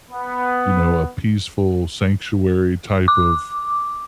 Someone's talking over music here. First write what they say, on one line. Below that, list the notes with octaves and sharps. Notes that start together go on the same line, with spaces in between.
you know, a peaceful sanctuary type of,
B3
D6